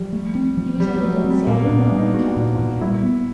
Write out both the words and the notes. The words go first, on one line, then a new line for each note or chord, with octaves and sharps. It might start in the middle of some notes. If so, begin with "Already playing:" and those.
He resided in San Ramon, California.
Already playing: F3 G3
A3
C4
F3
F3 G3
F#3
A3
F#3
C4
G3
A#2 A#3
B3
A#2
D4
G3
D#4
B3 F#4
A#2
A#2
G3 E4
B3